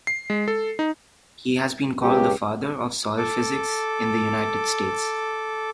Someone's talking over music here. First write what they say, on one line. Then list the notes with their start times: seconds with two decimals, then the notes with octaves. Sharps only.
He has been called the father of soil physics in the United States.
0.07 C7
0.30 G#3
0.48 A4
0.79 D#4
2.01 C#2 G4
3.17 A4 D6